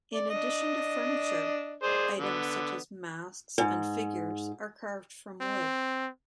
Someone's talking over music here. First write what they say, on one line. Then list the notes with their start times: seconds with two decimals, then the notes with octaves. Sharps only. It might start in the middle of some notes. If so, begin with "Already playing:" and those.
In addition to furniture, items such as masks and figures are carved from wood.
0.14 D5
0.30 D4 D#5
1.83 G#4 C5 D5
2.18 D3 B3
3.58 G#2
5.41 C4